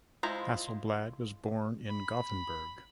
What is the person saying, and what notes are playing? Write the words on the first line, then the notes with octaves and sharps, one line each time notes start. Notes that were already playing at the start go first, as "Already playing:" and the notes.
Hasselblad was born in Gothenburg.
G#3 E4 F4 C5 A#5
B5